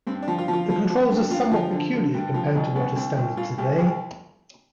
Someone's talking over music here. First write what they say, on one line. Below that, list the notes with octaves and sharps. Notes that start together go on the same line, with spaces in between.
The controls are somewhat peculiar compared to what is standard today.
G2 C4
D4
F3
F4
F3
F4
F3
F3
G2
G2 F4
F3
D3
D3
G2
F3
C2 D#4
C2 B3
C2 C4
C2
C2 F4
C2 G4
C2 G#4